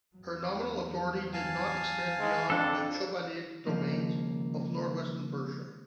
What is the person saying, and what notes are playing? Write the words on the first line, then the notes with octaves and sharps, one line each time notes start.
Her nominal authority did not extend beyond the Chobanid domains of northwestern Persia.
E2 F#3
F5 G#5 A5
G#3
F2 D4 A4
C#2 D#3 F3 A#3